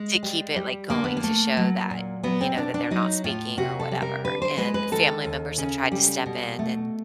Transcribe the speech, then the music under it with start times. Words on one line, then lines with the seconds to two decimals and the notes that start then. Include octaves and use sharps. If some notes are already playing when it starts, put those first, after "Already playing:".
to keep it, like, going to show that, you know, that they're not speaking or whatever, and family members have tried to step in and
Already playing: G#3
0.23 G3
0.56 G3
0.90 D3 A#3
1.04 B3
1.17 A#3
1.23 A3
1.57 F#3
1.90 A#2
2.23 F#3 B3
2.41 C4
2.57 B2 D4
2.74 D4
2.91 F#3 D#4
3.24 A2 F4
3.57 C3 F#4
3.79 A4
3.91 G3
4.02 A#4
4.24 D3 B4
4.42 C5
4.57 G#3 B4
4.74 B4
4.91 D#3 A4
5.24 D#2
5.58 C#3
5.92 G3
6.26 B2
6.59 A3